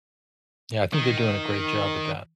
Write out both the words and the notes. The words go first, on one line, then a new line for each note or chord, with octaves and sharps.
Yeah, I think they're doing a great job with that
D#3